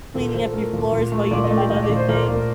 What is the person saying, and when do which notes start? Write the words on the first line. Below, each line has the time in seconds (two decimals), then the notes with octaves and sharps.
cleaning up your floors while you're doing other things.
0.15 A#2 A4
0.24 A#4
0.34 A#2 C5
0.44 A4
0.54 A3 A#4
0.73 A#2
0.92 A#2
1.12 A3
1.31 A#2 D5
1.44 D#5
1.51 A3
1.58 G5
1.70 A#2 D#5
1.83 D5
1.90 A#2
1.96 C5
2.09 A#2 A#4
2.22 D5
2.28 A#2
2.35 A#4